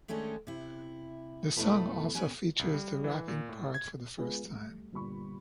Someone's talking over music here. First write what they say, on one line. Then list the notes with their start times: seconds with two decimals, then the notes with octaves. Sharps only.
The song also features the rapping part for the first time.
0.08 D#3 G#3 A3 C#4 D4 A4
0.47 C3 E4
1.56 F2 B2 A3 E4 A4 B4
2.14 C#4 B4 G5 G#5
2.59 C2
2.74 G3
3.04 E3
3.28 A#2
3.49 A2
3.74 G#6
4.17 G#3 B3 F4 G#4 B4 G#5
4.44 G3 A3
4.92 G1 A#2 G3 B5 C#6